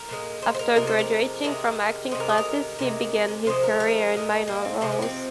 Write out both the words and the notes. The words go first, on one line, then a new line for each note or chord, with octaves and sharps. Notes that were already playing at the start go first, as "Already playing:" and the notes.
After graduating from acting classes, he began his career in minor roles.
Already playing: A#4
A#2 F3 G#3
C5
C5
A#4
C3 F3 G#3 A#4
C5
A#4
C3 G#3 A#4
C3 G#3 C5
A#4
G#4
A#4
C3 G#3
C3 F3 G#3 C5
A#4
A#4
A#2 G#3
A#3
C4
C3 F3 G#3 C4
A#3
C4